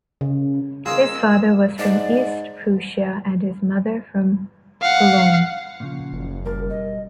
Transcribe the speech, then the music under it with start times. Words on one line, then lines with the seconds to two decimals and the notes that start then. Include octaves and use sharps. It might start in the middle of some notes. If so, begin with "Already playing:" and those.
His father was from East Prussia and his mother, from Cologne.
0.21 C#3
0.86 A#3 D#4 F4 G#4 E6
1.79 G#2 D5
4.82 F5 F#5
5.80 A#2 C#3 F3
6.13 F#1
6.45 B1 G3 A#4 A5
6.70 D#5